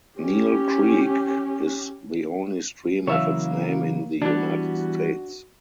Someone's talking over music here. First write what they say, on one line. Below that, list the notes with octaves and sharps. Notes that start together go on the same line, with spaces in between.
Neill Creek is the only stream of its name in the United States.
C#4 G4
C#3 E3 F#3 A#3 C#5 E5 F5
E3 G3 B3 D4 F#4